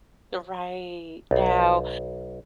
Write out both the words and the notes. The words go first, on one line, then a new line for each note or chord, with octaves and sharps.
The right. Now,
B1